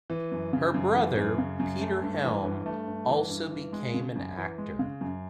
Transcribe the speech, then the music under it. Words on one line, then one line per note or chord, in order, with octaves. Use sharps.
Her brother, Peter Helm, also became an actor.
E3
F#2
C#3
F#2
E3
F#2
C#3
F#2
A3
G2
E3
G2
A3
G2
E3
G2
E3
G#3
C#3
F#2
E3
G#3
C#3
F#2